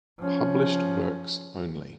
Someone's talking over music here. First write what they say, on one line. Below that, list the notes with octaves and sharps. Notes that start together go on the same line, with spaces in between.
Published works only.
F3 C#4